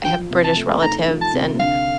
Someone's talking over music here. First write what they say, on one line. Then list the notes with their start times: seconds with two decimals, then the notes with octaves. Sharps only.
I have British relatives, and
0.05 F3 G5
0.31 C3
0.44 A5
0.57 A3
0.82 D#4 A#5
1.08 F3
1.21 A5
1.33 C3
1.59 D3 F5